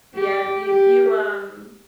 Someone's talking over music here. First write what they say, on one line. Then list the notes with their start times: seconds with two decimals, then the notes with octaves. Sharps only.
Yeah. Do you do you, um
0.15 G4
0.64 G4